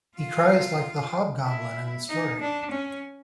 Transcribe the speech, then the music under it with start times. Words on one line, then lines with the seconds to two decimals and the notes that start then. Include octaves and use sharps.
He cries like the hobgoblin in the story.
0.18 F4
1.46 E4
2.09 D#4
2.41 D4
2.72 C#4